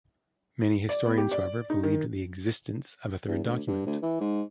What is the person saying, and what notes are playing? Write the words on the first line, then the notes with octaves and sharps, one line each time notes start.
Many historians, however, believed the existence of a third document.
D5
B3
G4
D5
D#4
D#3
E2
D2
G2
D2
E3
G#2